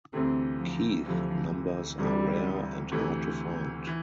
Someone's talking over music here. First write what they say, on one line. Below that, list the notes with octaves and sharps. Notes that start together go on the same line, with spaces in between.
Keith numbers are rare and hard to find.
D2 C3 E3 A3 C4
F3
D2 C3 E3 F3 A3
D2 C3 E3 G3 A3
D2 C3 E3 A3
E3